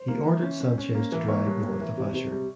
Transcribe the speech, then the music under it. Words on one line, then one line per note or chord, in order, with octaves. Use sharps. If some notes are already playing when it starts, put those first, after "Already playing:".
He ordered Sanchez to drive north of Asher.
Already playing: C5
A#3
E3
C#4
C#4
C#4
A#3
E3
A#3 C#5
G2
A#3
E3
C3
C3
G3